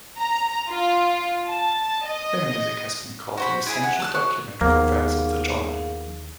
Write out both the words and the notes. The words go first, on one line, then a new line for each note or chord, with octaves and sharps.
Their music has been called an "essential document" for fans of the genre.
A#5
F4
A5
D#5
F#4 C5 B5
E4 G#4 B5
F#5
A5 E6 F#6
F#4
D#2 F3 A#3 B3 G#4 F5